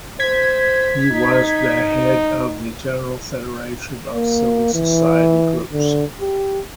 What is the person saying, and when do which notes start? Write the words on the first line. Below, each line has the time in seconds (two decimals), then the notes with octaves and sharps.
He was the head of the General Federation of Civil Society Groups.
0.20 C5 G#6 B6
1.11 D#4
4.12 A#3
4.74 E3
5.72 D3
6.21 G4